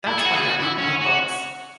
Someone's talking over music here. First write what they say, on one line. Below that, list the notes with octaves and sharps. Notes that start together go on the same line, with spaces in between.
That's why there aren't more books.
E4
G#4
F#4
G#4
F#4
E4
C#4
F#4